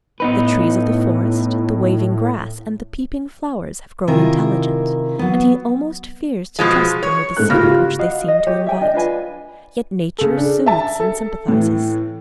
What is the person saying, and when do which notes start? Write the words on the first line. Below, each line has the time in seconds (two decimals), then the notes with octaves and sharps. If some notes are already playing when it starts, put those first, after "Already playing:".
The trees of the forest, the waving grass and the peeping flowers have grown intelligent; and he almost fears to trust them with the secret which they seem to invite. Yet nature soothes and sympathizes.
0.20 A2 B3 D#4 B4
4.08 C3 D#3 E4 F4 A#4 G#5
5.19 F#3 B3
6.59 B2 F3 G#3
7.03 C#5
7.37 G#2 A3 F#6
7.50 C#3 F4 G4 F6
7.99 F#4 D#5 F5
8.28 D#5
8.47 G4 C#5
8.66 E5 G5 G#5
8.81 D4 D#5 G5
8.94 D4 F4 B4 G#5
10.18 C#3 A4
10.37 D4
10.66 E5 A5
11.00 A4
11.48 A2 E3